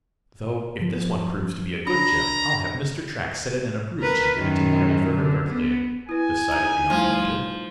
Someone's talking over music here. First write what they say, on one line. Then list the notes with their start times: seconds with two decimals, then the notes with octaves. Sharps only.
"Though if this one proves to be a good gem, I'll have Mr. Track set it in a brooch, and give it to Mary for her birthday," decided the young inventor.
0.79 G#2 F3
1.87 D4 A#5 B5
3.99 A#4 B4
4.36 F#2 D#3
5.15 D3
5.48 B3
6.09 E4 B4 G#5
6.51 D#4 A#5
6.90 F3 G3 A3 E4 F4